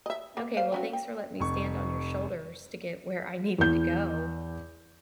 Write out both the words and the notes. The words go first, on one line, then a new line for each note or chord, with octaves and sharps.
"Okay, well, thanks for letting me stand on your shoulders to get where I needed to go."
D#5 E5
A#3 B3
A#3 C5 F5
C4 C#4 F#4
G5
F1 C#6
E2 G6